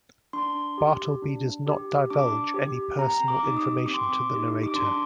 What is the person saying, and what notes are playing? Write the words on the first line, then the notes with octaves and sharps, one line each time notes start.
Bartleby does not divulge any personal information to the narrator.
D4 C6
G4
D4
G4
D4 D6
G4
C4 A#5
D6
D#4 G4
D#6
C4 D6
C6
D6
D#4 G4
D6
D4 C6